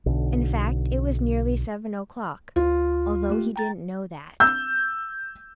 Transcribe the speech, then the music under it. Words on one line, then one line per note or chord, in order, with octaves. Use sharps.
In fact, it was nearly seven o'clock, although he didn't know that.
B1 D3
D2 F4
A3 G4
G5 A#5 A6
E6 G6